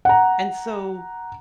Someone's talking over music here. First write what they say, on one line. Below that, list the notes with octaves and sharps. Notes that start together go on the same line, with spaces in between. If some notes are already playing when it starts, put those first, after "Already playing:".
And so,
F#5 A#5